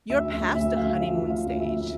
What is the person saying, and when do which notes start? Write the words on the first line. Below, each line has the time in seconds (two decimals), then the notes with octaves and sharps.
you're past the honeymoon stage.
0.09 D2 E5
0.32 D2 E5
0.54 D2 E5
0.77 D2 F5
0.99 F3 E5
1.22 D2
1.30 F5
1.46 D2
1.60 E5
1.68 D2